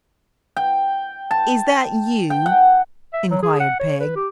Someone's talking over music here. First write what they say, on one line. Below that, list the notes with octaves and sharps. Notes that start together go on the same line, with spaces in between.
'Is that you?' inquired Peg.
G5
A5
G5
F#5
E5
F#3
G#4
F#5
C#5
B4
G4